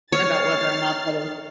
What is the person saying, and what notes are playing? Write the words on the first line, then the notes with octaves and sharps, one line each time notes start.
about whether or not that is
C#5 F6 A6 C7